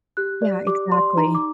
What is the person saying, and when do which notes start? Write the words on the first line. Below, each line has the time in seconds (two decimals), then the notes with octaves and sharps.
Yeah. Exactly.
0.17 G4 F#6
0.42 D5
0.67 G4 D6
0.92 D5 C6
1.17 D#4 A#5
1.35 D6